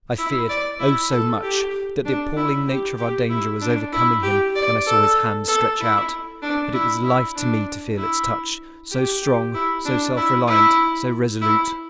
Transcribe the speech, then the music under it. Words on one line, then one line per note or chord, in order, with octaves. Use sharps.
I feared, oh so much, that the appalling nature of our danger was overcoming him when I saw his hand stretch out; but it was life to me to feel its touch--so strong, so self-reliant, so resolute.
E4
D5
E4
A4
G4
D4
E4
G4
G4
E4
D4
E4
G4
D5
A4
A4
E4
D4
E4
E4
D4
E4
G4
G4
E4
D4
E4
E4
E4